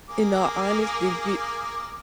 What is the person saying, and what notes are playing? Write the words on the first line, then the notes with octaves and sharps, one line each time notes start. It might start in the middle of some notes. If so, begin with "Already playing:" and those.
in all honesty, be
A#3 G#4 D6